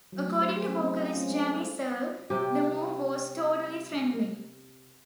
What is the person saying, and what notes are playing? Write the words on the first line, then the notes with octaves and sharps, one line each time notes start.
According to vocalist Jamie Searle, the move was totally friendly.
F#3
A3
C5
G#4
C#4
C4
F4
C#4
G#3
A4
C3 G4